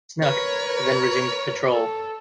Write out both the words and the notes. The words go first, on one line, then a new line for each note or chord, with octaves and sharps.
"Snook" then resumed patrol.
A#4 B4 C#5
A4